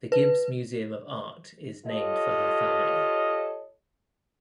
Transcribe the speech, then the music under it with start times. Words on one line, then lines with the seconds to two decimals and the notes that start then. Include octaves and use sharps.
The Gibbes Museum of Art is named for her family.
0.12 B4
1.86 F4 G4 A4 C#5 D#5